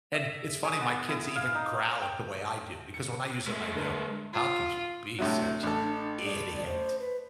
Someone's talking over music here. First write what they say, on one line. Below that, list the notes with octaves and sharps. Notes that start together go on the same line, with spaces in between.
and it's funny my kids even growl at the way I do, because when I use it and I go, "How could you be such an idiot?"
E5
G#4
B3
E4
F5
D#4
G5
C#7
G#3 A3
D3 A#4 B4
F4
A2 C3 F#3 D4
A1 A4
D5
C5
B4